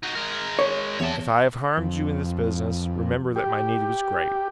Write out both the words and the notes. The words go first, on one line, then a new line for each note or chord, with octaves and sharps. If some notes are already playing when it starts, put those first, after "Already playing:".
If I have harmed you in this business, remember that my need was great.
D#4 F#4
G#3 A#4
C#5
E2 C#5 A5
F2
G4